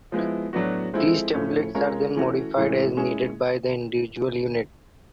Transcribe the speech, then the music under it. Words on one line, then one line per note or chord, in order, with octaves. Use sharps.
These templates are then modified as needed by the individual unit.
F3 G#3 B3 E4
A2 F#3 B3 D4 F#4
F3 G#3 C4 E4 A4
A2 F3 A3 C#4
G#3 C#4 F4 A#4 C#5
E3 A3 C#4 F#4
A2 E3 G#3 C#4
G#3 C#4 E4 G#4